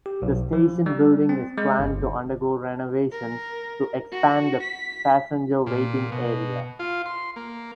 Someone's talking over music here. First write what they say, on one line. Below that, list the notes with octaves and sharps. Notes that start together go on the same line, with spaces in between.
The station building is planned to undergo renovations to expand the passenger waiting area.
G4
B1
F3
G3
C4
G#3
G1
A#4
F#4
B6
A#2
B2
F4
C6
A#3